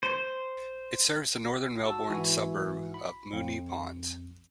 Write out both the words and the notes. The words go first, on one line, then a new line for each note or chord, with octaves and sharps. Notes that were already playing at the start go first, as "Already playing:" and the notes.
It serves the northern Melbourne suburb of Moonee Ponds.
C5
F#4 A5 E6
G#2 E3 E4 F#4 E5 G#5
B5
F2